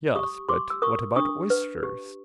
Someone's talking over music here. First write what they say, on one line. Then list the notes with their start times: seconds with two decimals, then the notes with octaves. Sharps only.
Yes but what about oysters.
0.15 G4 C#6 D#6
0.49 G4 C6 D6
0.70 E6
0.82 A#4 C#6 D#6
1.16 D4 C#6 D#6
1.50 B4
1.83 G4